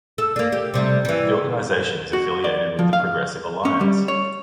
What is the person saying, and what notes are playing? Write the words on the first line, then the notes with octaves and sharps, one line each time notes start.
The organisation is affiliated with the Progressive Alliance.
A4
A#3 D4
G4
C3 G3 A3
E3 G3
F#4
D5
F3
F5
C#4
G3
C#5